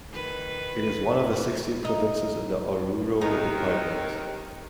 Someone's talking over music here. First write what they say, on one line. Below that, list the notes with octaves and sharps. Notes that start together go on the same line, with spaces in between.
It is one of the sixteen provinces in the Oruro Department.
D#3 B4
D#4
D#2 C3 D#3 D#4